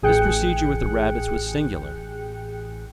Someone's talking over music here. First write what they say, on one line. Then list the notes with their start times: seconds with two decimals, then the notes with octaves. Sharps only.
His procedure with the rabbits was singular.
0.02 A1 G#4 G5 F#6 C#7